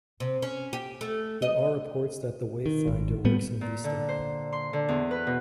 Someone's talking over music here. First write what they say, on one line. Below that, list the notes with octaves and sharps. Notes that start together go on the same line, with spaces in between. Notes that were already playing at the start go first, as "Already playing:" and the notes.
There are reports that the Wavefinder works in Vista.
C3
C#4
G4
A3
D#5
D#3
G#1
A2 G3 B3
A#2
D3
C5
C6
D3
E2
B4
B2